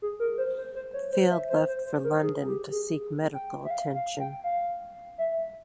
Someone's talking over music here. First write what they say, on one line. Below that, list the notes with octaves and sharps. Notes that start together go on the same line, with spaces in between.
Field left for London to seek medical attention.
G#4
A#4
C5
C5
C5
C#5
C5
E5
C5
C5
C5
A#4
G#4
G4
G#4
G5
E5
F5
F5
G5
F5
E5